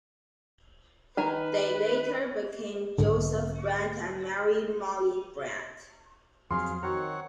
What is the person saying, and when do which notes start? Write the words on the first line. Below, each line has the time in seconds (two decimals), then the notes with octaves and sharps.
They later became Joseph Brant and Mary "Molly" Brant.
1.17 D#3 B4 G#5 A#5
2.98 B1 G#2 D3
6.51 F2 F#3 C4 G#4 F5 C6
6.83 D#3 C4 F#4 C#5 F#5 A#5